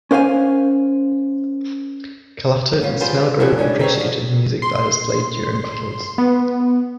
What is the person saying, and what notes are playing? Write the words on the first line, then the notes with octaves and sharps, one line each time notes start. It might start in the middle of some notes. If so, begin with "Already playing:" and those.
Kalata and Snelgrove appreciated the music that is played during battles.
C#4 A#4 C5 F5 G#5
B3 C#4 F4
G3 B3 F4 G#4 C5
F3 G3 C4 C#4 E4 F#4
G3 G#3 A#3 C#4 D4
C4 D#4 G4 A4 B4 C#5
D3 F3
C6
B3